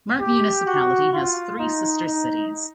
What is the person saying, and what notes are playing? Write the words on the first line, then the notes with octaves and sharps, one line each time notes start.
Mark Municipality has three sister cities.
G4
F#4
F4
D#4
D#4